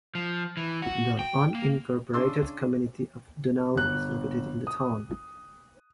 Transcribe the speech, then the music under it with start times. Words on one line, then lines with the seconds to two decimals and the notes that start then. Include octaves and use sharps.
The unincorporated community of Donald is located in the town.
0.15 F3
0.57 E3
0.82 F#4
1.19 G5
1.55 A#3
2.13 C#3 D4 C6 D6 E6
3.75 G1 F#6
4.67 D#6